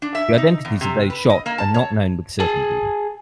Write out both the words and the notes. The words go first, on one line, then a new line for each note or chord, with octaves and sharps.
The identities of those shot are not known with certainty.
D4
E5
D#4
E2
C3
B4
D#5
A#3
A5
C#5
G#4 A5